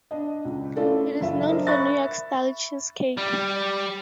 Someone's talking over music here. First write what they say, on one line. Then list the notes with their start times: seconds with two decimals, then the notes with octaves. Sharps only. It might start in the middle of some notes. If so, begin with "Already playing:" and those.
It is known for New York Style cheesecake.
0.11 D4 D#5
0.45 C#2
0.76 A3 C#4 E4 F4 A4 D5
1.21 F#1 F4 E5
1.48 D4 A#4 C5 D#5 E5
1.67 E5 B5 C#6 F#6 A6
3.17 G3